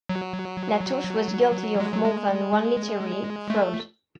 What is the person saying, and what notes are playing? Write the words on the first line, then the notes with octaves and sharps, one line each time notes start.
Latouche was guilty of more than one literary fraud.
F#3
G#3
F#3
G#3
A3